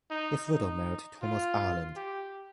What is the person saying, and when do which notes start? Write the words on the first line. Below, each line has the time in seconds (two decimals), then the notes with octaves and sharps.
His widow married Thomas Ireland.
0.10 D#4
0.48 D#4
1.22 F4
1.96 G4